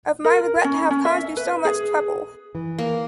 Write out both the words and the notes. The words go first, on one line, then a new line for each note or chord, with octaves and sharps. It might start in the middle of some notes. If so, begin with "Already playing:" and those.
Of my regret to have caused you so much trouble.
A#4
C#4
C#4
E5
B4
G#4
E3
A#3